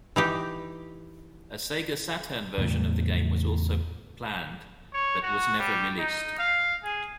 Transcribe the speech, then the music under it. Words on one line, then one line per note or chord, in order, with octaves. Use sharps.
A Sega Saturn version of the game was also planned, but was never released.
E3 D#4 G4
E2 A2 C#3 F#3
C#5
F#4
G3
D#4
F5
G#4